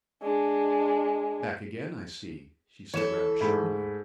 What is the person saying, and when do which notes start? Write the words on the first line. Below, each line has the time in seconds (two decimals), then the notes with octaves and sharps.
"Back again, I see," she said rather sharply.
0.22 G#3 D4
2.94 E3 A4 C#5 E7
3.40 G#2 A3 B5